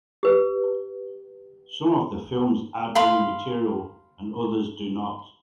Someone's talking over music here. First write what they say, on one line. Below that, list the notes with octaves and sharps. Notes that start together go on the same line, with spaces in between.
Some of the films add new material, and others do not.
G4 B4
F5 B5 C6